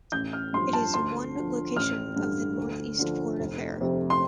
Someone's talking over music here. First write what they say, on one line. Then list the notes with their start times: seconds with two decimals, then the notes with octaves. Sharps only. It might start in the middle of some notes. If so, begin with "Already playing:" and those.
It is one location of the Northeast Florida Fair.
0.12 A1 G6
0.33 F6
0.53 G2 F3 C6
0.73 A5
0.94 D2 C6
1.35 D3 F3
1.76 A1 F6
2.16 G2 D3
2.58 D2
2.99 D3 F3
3.39 F1
3.80 F2 C3
4.10 C6